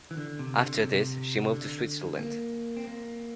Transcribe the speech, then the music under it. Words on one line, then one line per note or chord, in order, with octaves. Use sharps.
After this, she moved to Switzerland.
E3
D3
C3
D3
C3
D3
A#3
C4
A#3